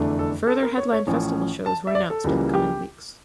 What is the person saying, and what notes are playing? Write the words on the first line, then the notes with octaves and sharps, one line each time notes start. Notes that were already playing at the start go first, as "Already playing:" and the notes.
Further headline festival shows were announced in the coming weeks.
Already playing: F1 E2 D3 A3 D4
A4
A4
A#4
C#5
C#5
A1 A2 F3 C#4
A5
E5
D5
A4
C#2 C#3 E3 G3 A#3
G4